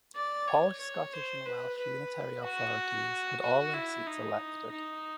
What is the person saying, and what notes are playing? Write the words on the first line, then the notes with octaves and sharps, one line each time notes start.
All Scottish and Welsh unitary authorities had all their seats elected.
D5
C#5
C#5
C5
B4
B4
F#4
F#4
E4
D#4
D#4